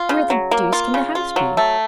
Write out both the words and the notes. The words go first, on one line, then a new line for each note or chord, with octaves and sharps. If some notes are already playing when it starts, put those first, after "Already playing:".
Where the deuce can the house be?
Already playing: F4
C#3
F#3
A#3
F4
C#3
F4
F#3
A3